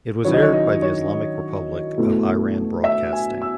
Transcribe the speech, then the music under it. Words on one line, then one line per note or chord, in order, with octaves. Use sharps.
It was aired by the Islamic Republic of Iran Broadcasting.
D#3 F#3 C#4 E4 C#5
D#5
C#5
D#5
C#5
B2 A3 E4
E5
G#5
E6